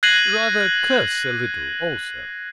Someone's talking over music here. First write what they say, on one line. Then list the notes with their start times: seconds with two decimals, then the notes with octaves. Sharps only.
Rather curse a little also!
0.03 F#6 G#6 A#6 C7 D#7 F#7